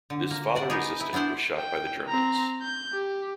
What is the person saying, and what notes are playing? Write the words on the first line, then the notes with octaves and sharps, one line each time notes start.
This father-resistant, was shot by the Germans.
D3
A#3
F#4 D5 F#5
B3 D#4 G4 G#4
E4
B3 D4 E4 C5 D5
G5
C4 A#5
G6
G4